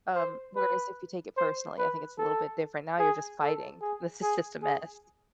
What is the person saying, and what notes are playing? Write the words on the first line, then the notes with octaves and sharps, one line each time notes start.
Um, whereas, if you take it personally, I think it's a little bit different, now you're just fighting, this is just a mess.
C5
B4
C5
B4
A4
G#4
A4
G#4
G#4
G#4